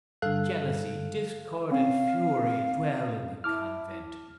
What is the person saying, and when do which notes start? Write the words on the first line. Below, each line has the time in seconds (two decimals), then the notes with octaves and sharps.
Jealousy, discord, and fury, dwell in the convent.
0.22 G2 D3 A4 F5 F#6
1.71 C4 C#4 F5
3.44 E4 A5 D6 F6